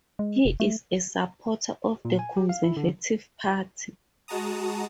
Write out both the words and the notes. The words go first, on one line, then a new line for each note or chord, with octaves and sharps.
He is a supporter of the Conservative Party.
G#3
F1
A3
A#2
G#5
G4
F5
E4
D3
G#3 F#4 A5 A#5 D#6